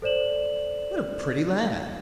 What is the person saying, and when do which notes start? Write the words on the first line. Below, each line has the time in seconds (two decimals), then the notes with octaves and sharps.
"What a pretty lad!"
0.02 A4 C5 D5 E7 F#7